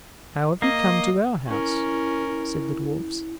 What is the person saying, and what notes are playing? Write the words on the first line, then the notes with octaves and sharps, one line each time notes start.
"How have you come to our house?" said the dwarfs.
A#3 D#5
C#4 E4 A#4
E4